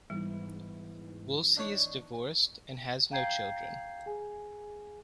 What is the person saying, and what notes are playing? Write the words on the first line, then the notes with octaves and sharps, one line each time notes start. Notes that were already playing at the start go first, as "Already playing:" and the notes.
Woolsey is divorced and has no children.
G#2 E3 G3 B3 E4
D4 D#4 C#5
F5 G5 A#5 G6 G#6 C7
G#4 G#5